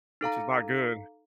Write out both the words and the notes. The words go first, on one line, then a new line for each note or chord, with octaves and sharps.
which is not good,
D#4 A4 F5 A#5